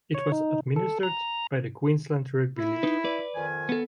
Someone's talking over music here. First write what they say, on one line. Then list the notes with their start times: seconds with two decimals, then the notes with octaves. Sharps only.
It was administered by the Queensland Rugby League.
0.15 C#5
0.32 D#4
0.76 A4
1.03 A#5
2.58 E4
2.83 D#4 B4
3.05 B4 D5
3.35 F2 D#3 G#5
3.69 B3 A4